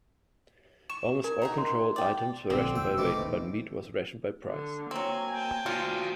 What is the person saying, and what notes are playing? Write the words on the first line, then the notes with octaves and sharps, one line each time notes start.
Almost all controlled items were rationed by weight but meat was rationed by price.
C#6 E7
A#4 G#5
D#4 E5 F#5
C6
D5 G5
A#1 D3 F3 C4
F1 G5 E6
G#2 B2 A3 D6
A1 D#2
D3
F#3 A#3 C4 G#5
G5 A5
F4 F#4 C5